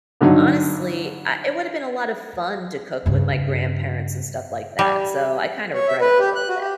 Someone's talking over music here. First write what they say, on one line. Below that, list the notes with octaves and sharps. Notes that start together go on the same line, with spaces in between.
honestly, I it would have been a lot of fun to cook with my grandparents and stuff like that, so I kinda regret it a little bit.
G2 D3 F#3 D#4
G2 C#3
G3
C#5
E5
B4
G4
F#6
F#4
G4